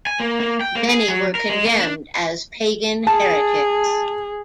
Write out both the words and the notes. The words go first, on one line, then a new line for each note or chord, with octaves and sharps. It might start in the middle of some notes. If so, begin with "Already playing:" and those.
Many were condemned as pagan heretics.
G#5
A#3
A#3
G5
A#3
G#4
F#3
A#4
G#3
A#3
D4
G#4 A5